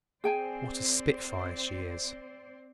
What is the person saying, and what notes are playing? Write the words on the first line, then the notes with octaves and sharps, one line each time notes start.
What a spitfire she is!'
C4 G#4 C5 D5 G5 G#5